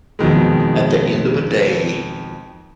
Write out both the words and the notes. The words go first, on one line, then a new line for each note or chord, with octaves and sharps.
at the end of a day
F2 B2 D#3 G#3